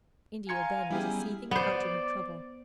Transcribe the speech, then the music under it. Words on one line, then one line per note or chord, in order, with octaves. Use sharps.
India then was a seething caldron of trouble.
F5 G#5 A#5 C6 G#6 C#7
G3 B3 C#4 E4 G4 G#4
B3 C5 D5